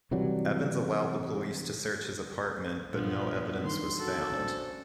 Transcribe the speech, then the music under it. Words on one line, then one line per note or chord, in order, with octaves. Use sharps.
Evans allowed the police to search his apartment but no evidence was found.
C3 E3 F#3 G3
A#1 G2 F3 B3
G2 D#3 C6
F#4 A4
C#4 D4 C5